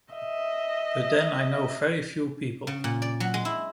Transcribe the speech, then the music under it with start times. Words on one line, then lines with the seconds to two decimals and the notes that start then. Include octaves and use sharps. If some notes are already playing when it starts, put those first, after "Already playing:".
But then I know very few people.
0.14 D#5 E5
2.67 C#3
2.84 A#2
3.02 D5
3.20 F#3
3.34 G#3
3.45 E4